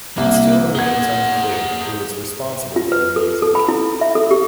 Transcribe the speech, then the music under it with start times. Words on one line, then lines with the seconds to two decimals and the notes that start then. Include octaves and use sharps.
It still remains unclear who was responsible for the music.
0.18 C2 A#3
0.75 G#4 F#5 G#6 G7
2.76 F4
2.92 B4
3.16 A4
3.42 A4
3.55 B5
3.68 E4
4.01 E5
4.15 A4
4.31 G4